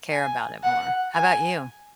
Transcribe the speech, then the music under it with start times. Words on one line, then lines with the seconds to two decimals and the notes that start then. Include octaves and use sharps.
care about it more. How 'bout you?
0.12 G#5
0.63 F#5
1.14 G#5